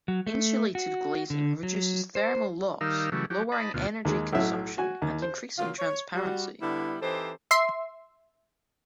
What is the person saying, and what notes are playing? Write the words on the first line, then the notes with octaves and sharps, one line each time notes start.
Insulated glazing reduces thermal loss, lowering energy consumption and increasing transparency.
F#3
A3
F#4
D3
F#3
C5
D#3 G3 D#4 A#4 F5 E6
C#3 E3 F#3 G3 A3
F#3 G4
D#5 A5 B5
D2 B2 F4
D#2 G#3
B1 A2 F#3 E5
F#4 G#5
D#2
C5
C#3 F#3 A#3 F4
C#5
G3 F#4
D3 G3 B3 E4
E3 C4 D#4 G4 A4 C5
E5 C6 C7